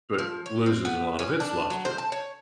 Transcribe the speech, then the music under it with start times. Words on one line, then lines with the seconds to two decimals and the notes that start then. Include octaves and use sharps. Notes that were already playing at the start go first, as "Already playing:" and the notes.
but loses a lot of its luster.
0.19 F3
0.46 C#5
0.66 C4
0.85 B3
1.19 C#4
1.40 D4
1.70 F#3
1.85 C5
1.98 A5
2.12 C#5